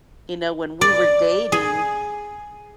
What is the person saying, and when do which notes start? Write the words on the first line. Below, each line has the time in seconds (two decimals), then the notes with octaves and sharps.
you know, when we were dating
0.81 D5
1.52 G#4